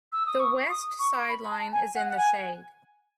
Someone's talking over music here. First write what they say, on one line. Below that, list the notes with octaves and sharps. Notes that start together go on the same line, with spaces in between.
The west sideline is in the shade.
E6
D#6
C#6
D#6
C#6
B5
A5
G#5
F#5
F#5
G#5